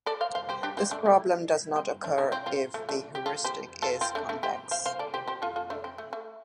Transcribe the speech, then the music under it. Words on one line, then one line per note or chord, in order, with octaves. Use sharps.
This problem does not occur if the heuristic is convex.
A4 D5
C5 F5
C5 F5
G4 C5
D4 G4
C4 F4
A3 D4
A3
C4
A3 D4
A3 D4
C4 F4
C4 F4
A3
A3 D4
G4
F4 A4
G4 C5
F4 A4
C4 F4
A3 D4
A3 D4
G4 C5
C5 F5
C5 F5
A4 D5
G4 C5
G4 C5
F4 A4
F4 A4
A3 D4
C4
A3
A3